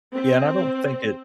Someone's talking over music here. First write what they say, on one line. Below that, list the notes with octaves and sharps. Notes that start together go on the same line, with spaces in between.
Yeah, and I don't think it
C4